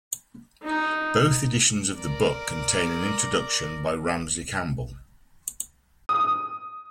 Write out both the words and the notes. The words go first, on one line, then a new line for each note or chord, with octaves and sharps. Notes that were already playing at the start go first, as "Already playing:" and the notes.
Both editions of the book contain an introduction by Ramsey Campbell.
D#4
A#4 D5
D#6